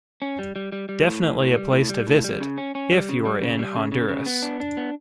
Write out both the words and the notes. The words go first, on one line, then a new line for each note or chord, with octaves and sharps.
Definitely a place to visit if you are in Honduras.
C#4
G3
G3
G3
G3
A2
A2
A2
G3
A2
G3
A2
G3
C#3
C#4
C#4
G3
C#3
G3
C#3
G3
C#3
C#3
C#3
B3
D4
D4
B3